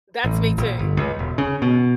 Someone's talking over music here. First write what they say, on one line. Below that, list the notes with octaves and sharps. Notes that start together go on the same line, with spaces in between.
That's me too.
A1
A#1
G1
C#2
E1
C#3
B2